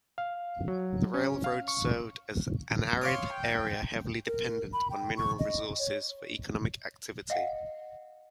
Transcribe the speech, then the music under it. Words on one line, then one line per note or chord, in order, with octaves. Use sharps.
The railroad served an arid area heavily dependent on mineral resources for economic activity.
F5
F#3
C#4
F5
C#6
C#5 F5 C6 D6 D#6
G5
A#4
B5
G5
C#6
D#5
C#5
D#5 F5 F#5